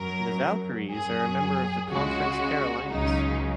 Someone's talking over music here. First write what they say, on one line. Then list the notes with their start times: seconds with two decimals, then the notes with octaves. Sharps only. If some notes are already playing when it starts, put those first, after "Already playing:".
The Valkyries are a member of the Conference Carolinas.
Already playing: F#2 F#3 A#4
0.90 F#2 F#3 G#4
1.89 C#2 C#3 G#3 F#4
2.88 C#2 C#3 F#3 D#4